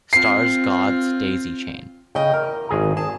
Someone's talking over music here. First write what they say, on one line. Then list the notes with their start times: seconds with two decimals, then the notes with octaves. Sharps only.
Stars God's daisy chain.
0.13 C4 F4 C7
2.15 C#3 D#5 G5
2.34 E2 A#4
2.69 G#1 G#4 A#5
2.97 G#4 A5